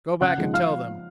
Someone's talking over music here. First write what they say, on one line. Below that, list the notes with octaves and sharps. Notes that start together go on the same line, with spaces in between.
Go back and tell them.
C#3 F#5 F#6
F3 G#3 D#4
F3 F5 F6